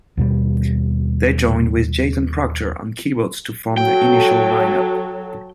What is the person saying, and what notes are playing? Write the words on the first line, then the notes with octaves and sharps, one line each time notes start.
They joined with Jason Proctor on keyboards to form the initial lineup.
D#2 B2 G3
F#3 A4 G5